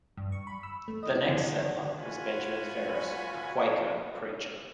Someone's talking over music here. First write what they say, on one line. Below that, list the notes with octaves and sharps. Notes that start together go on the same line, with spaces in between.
The next settler was Benjamin Ferris, a Quaker preacher.
G2
C#6
B5
E6
A3
D#5
E4
D3
F#5
D#3
F4 F#4 F#5 G#5 B5